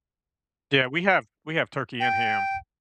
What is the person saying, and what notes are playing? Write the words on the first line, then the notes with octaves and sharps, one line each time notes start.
Yeah. We have we have turkey and ham.
G5